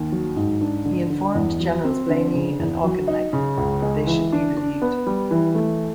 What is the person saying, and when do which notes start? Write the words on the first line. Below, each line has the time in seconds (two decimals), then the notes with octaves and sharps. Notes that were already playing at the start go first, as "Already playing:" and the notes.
He informed Generals Blamey and Auchinleck that they should be relieved.
Already playing: D#2
0.12 F#3
0.36 G#2
0.61 D4
0.85 D3
1.10 D3
1.35 E2
1.60 F#3
1.85 C4
2.09 D3
2.34 C#3
2.59 E2
2.84 F#3
3.08 D#4
3.33 C#3
3.58 C#2
3.82 G#3
4.07 E3
4.32 D4
4.57 D4
4.82 B3
5.07 G3
5.31 E3
5.55 A3